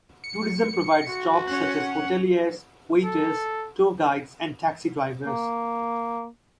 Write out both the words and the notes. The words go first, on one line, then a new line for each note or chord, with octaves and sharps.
Tourism provides jobs such as hoteliers, waiters, tour guides and taxi drivers.
C#7
F#4
C#4 C#5 F#5
A4
A#3